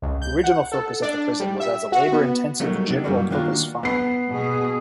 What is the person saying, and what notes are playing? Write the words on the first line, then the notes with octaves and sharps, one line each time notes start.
The original focus of the prison was as a labor-intensive general-purpose farm.
C#2
G6
F#5
A4
D4
G3
E5
F#4
B3
F#3 G3 A3 D#4 F#4 A#4
C3 D4 D#4
F#2 E3 G3 A#3 F#4
D#3 A#3 D4 F4 F#4 A#5
B3 C7
B2 G#4